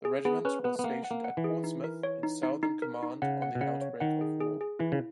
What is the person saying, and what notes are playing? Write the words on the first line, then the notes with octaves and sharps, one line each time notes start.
The regiment was stationed at Portsmouth in Southern Command on the outbreak of war.
G#4
B3 G#4
C#4 B4
B3 B4
B3
A#3 F#5
F#5
A#3
F#5
E3
G#4
D#4
A#4
C#5
D#4
D#4
D#4
A#4
D#4
C#3 F#5
F#5
B2
C#3 F#5
C#5
D#3 F#5
G#4
G#4
G#4
E3 E4
C#3